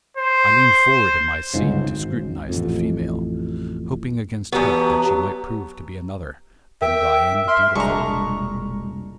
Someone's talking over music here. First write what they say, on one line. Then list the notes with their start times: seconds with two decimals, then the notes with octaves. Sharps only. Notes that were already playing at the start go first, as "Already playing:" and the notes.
I leaned forward in my seat to scrutinize the female--hoping against hope that she might prove to be another than Dian the Beautiful.
0.17 C5
1.54 G1 C#2 G#2 C#3
1.85 G#1
2.49 A1 F2
4.52 E2 F#3 B3 G4 A5
6.82 A#4 E5 G5
7.48 E5 C6 F6
7.75 E1 C2 F2 A#2 G#3 D4 A#5 C#6